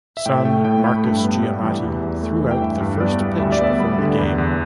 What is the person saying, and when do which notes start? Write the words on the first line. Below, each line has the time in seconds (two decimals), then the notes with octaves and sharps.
Son Marcus Giamatti threw out the first pitch before the game.
0.17 E5
0.26 A2 G5
0.45 A3 G5
0.64 A2 G5
0.84 A3 B5
1.04 G2 G5
1.24 B3
1.43 G3
1.63 E3
1.83 E2
2.03 E2
2.23 A3
2.41 E3
2.51 G5
2.61 G2 E5
2.81 G2
3.00 B3 D5
3.20 G3
3.40 D2 E5
3.52 D5
3.60 B3 E5
3.79 G3 B5
3.98 D3
4.18 E2
4.38 E2